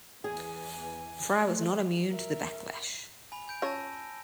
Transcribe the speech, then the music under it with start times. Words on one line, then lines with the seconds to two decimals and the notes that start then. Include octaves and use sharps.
Fry was not immune to the backlash.
0.24 E2 E3 G#4 G#5
1.41 A3
2.08 A#4 E5
3.32 G#5 B5 F7
3.48 G#5 G6 D7
3.62 C#4 F4 C#5 A5 E6 A#6